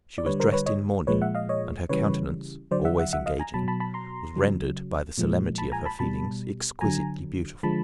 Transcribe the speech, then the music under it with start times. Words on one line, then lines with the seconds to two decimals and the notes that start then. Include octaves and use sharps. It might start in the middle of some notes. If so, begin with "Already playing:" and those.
She was dressed in mourning, and her countenance, always engaging, was rendered, by the solemnity of her feelings, exquisitely beautiful.
0.18 D5
0.25 D3 G3 B4 C#5
0.40 A#4 C5
0.52 B4 C#5
0.66 C#5 D#5
1.07 A#2 F3 G#3 B4 C#5
1.22 E5 F#5
1.35 D#5 F5
1.49 C#5 D#5
1.89 C#3 E3 G3 B4 C#5
2.71 D3 F#3 C5 D5
2.85 E5 F#5
2.99 E5 F#5
3.13 E5 F#5
3.26 D#5 F5
3.39 G#5 A#5
3.54 B2 F#3 A5 B5
3.68 A5 B5
3.80 A5 B5
3.94 A#5 C6
4.36 C#3 F#3
5.18 A#2 F3 G#3
5.58 A5 B5
5.72 G#5 A#5
5.85 A5 B5
5.99 B2 G3 A5 B5
6.81 D3 F#3 G#5 A#5
7.63 D3 F3 G#3 A5 B5